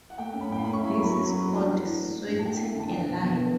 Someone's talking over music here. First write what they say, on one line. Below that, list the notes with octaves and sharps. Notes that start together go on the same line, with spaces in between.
This is called "sweating a line".
F#5
A3 G5
C#4 G5
B5
A2 G5
C#4 B5
C#6
E4
B5
F#3 C#6
C#4 B5
C#6
F#3 B5
F#3
D4 A5
E3
E3
A3
D4
A2
A5
A3 G5
G5
E4
G5
D3 A5
D4 G5
B2
A5
B2
B3